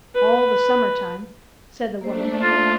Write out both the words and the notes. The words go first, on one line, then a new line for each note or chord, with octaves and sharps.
'All the summer-time,' said the woman.
B4
A3 A#3 D4 C5
F4